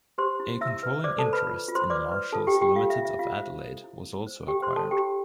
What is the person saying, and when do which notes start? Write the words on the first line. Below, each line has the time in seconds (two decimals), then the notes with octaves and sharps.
A controlling interest in Marshall's Limited of Adelaide was also acquired.
0.18 G4 C5 C6
0.40 E4
0.61 E4 E5 E6
0.83 B4
1.04 C5 D5 D6
1.18 A4 A5
1.25 C5
1.33 B4 B5
1.47 F4
1.68 F4
1.75 C5 C6
1.90 B4 D5 D6
2.11 B4
2.33 F4 A4 A5
2.47 G4 G5
2.55 F4
2.61 G4 G5
2.76 F4 A4 F5
2.90 E5
2.97 F4
3.05 E5
3.19 F4 F5
3.41 C5
3.62 A4
3.84 E4
4.06 E4
4.26 C5
4.48 G4 A4 G5
4.62 C5 C6
4.70 E4
4.76 A4 A5
4.91 E4 G4 G5